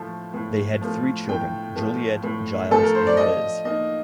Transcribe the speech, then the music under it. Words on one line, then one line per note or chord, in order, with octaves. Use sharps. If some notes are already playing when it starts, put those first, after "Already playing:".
They had three children Juliet, Giles and Liz.
Already playing: A2 F3 A3
A2
F3 A3
A2 G5
F3 A3
A2
F3 A3 A4
A#4
C5
D5
F3 D#5
A#3 D#4 D#5